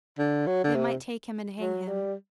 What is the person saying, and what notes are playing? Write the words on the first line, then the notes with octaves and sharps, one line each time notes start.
They might take him and hang him.
D3
F#3
D3
C3
F#3
G3